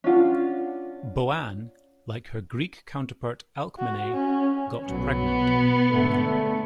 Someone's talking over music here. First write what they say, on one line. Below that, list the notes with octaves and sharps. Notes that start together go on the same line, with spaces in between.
Boann, like her Greek counterpart Alcmene, got pregnant.
C#4 D4 F4 F#5
F#4
C#4
B1 F#3 B3
B2
G#2 D3 A3